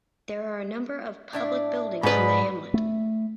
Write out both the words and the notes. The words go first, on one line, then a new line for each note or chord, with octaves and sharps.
There are a number of public buildings in the hamlet.
A2 D4 E5
G#2 D#4 B4 D5 B5
A3